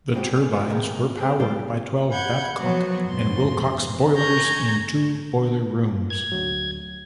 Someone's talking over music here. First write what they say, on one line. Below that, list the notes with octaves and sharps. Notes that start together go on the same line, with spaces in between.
The turbines were powered by twelve Babcock and Wilcox boilers in two boiler rooms.
B2 G#3 C4 D#4 F#4 G4
G#4 D5
F3 B3
C3 D#3 G#3 B3 D#4
C4 G#4
G3 B3 C5 D5 F5 G5
F#5 B5 G6 G#6
F3 F#3 B3 F#4 C#5
F2 G#2 B2 C6
G#5 A#5 C#6 G6 G#6
G#6
D2 F#3